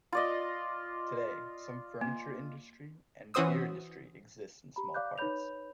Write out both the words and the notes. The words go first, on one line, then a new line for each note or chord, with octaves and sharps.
Today some furniture industry and beer industry exists in small parts.
F4 D5 D#5
A#3
E3 C#4 F#4 C5 D#6 E6
G4 A#5 B5
D5 F5 D6 F#6 G6
D#4 B4 C#5 B5 G6 F7